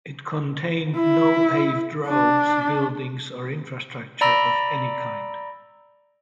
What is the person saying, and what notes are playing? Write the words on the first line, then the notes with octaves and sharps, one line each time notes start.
It contained no paved roads, buildings or infrastructure of any kind.
E4
D4
D5 A#5 B5 E6 A#6 D7